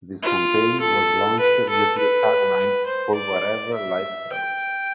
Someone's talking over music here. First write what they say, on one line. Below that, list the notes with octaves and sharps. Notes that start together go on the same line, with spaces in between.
This campaign was launched with the tagline "For Whatever life throws".
F4
A4
B4
A4
B4
C5
D5
E5
G5